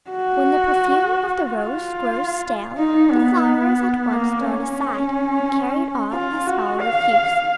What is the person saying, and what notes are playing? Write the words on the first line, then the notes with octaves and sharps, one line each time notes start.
When the perfume of the rose grows stale, the flower is at once thrown aside, and carried off as foul refuse.
F#4
F4
D#4
B3
A#3
C#4
F4
F#4
F5